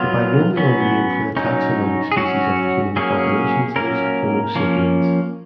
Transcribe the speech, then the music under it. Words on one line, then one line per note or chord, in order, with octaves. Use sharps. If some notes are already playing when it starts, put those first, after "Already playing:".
The binomial name for the taxonomic species of the human population is "Homo sapiens".
Already playing: F#3 B3 F4
F#3 B3 C#4
F#3 C#4 D#4
G#4
F#3 C#4 F#4
F#3 A#3 C#4 G#4
F#3 A#3 C#4 A#4
F3 A#3 C#4